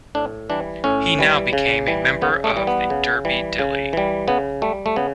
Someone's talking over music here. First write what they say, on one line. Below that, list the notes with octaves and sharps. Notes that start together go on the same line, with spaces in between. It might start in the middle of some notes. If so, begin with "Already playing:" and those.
He now became a member of the Derby Dilly.
A2 D4
E3 G3 D4
A2 C#4
E3 G3
C#3
E3 G3
C#3 B3
A3
E3 G3
B3
C#3
E3 G3
C#3
E3 G3
C#3 B3
G3 A3
A3
C#3 B3